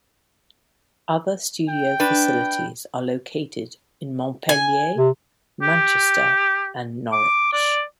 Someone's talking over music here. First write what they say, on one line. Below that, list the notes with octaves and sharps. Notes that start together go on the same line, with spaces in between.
Other studio facilities are located in Montpelier, Manchester and Norwich.
G5
D4 B4
G#5
C3
G4
D6
D5